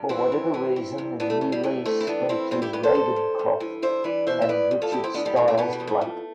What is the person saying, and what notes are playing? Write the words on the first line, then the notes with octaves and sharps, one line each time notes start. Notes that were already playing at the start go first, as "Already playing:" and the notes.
For whatever reason the new lease went to Raingecroft and Richard Stiles Blake.
Already playing: G2
E3 C4 E4
G2
E3
E3
G2
E3 B3 D4
A3
G2 A3
G3
E3 A3
G2 A3 C4
E4
E3 B3 D4
E3 C4 E4
G2 C4 E4
E4 G4
G2 G4 B4
A4 C5
G2
G2
G2
E3
G2 C5 E5
E3 B4 D5
B2 C5 E5
E5
E2 B4 D5
E2
F4 A4
E2 E4 G4
C4 E4
E2 B3 D4
G3 B3
B2 A3
A3 C4
B2 G3 B3
G3
E2
A3
F2